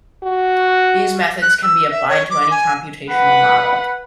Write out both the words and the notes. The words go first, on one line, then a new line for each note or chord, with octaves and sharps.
These methods can be applied to any computational model.
F#4
F#6
E6
E5
C#5
D6
G#5
B4 F#5